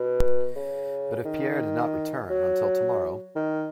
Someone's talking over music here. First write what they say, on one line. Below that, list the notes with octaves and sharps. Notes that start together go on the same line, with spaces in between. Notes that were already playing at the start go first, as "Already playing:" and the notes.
But if Pierre did not return, until tomorrow.
Already playing: B2
C#3
D#3
F#3
D#3